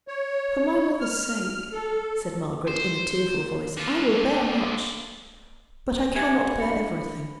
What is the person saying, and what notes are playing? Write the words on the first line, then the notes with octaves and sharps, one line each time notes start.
'For my mother's sake,' said Margaret, in a tearful voice, 'I will bear much; but I cannot bear everything.
C#5
F6
A4
C5
D3 F4
G4 E5 G#5 G#6 C#7 F#7
D4 B5 C#7